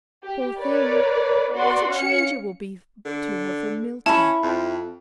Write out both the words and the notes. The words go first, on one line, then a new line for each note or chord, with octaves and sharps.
Poor thing! what a change it will be to her from Milton!
G4
A#4 B4 C#5 D5
B3 F#4 D5 C6
C#4 F5 C#7
D3
C#4 E4 A5 B5
F2